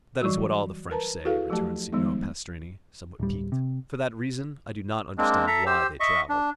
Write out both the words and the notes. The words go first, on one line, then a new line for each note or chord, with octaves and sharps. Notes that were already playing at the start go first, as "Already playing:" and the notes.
"That is what all the French say," returned Signor Pastrini, somewhat piqued; "for that reason, I do not understand why they travel."
E3 F#3 G3 F#4
A#4 B4 A5 A#5
E4 F#4 G#4 A4 B4 F5
F3 F#3 A3 G4 A5
D#3 F3 G3 G#3 B3 D#4
D1 G3
C3
G#3 A#3 C4 D4
A4 E5 A#5
G4 C5 E6
D#5 E5 C#6
D4